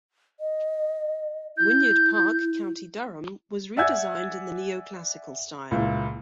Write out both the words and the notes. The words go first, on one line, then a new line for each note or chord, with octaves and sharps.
Wynyard Park, County Durham was redesigned in the Neo-classical style.
D#5
E4 G6
D5 E5 F#5 G#5 E6 G#6
C#2 A#2 E4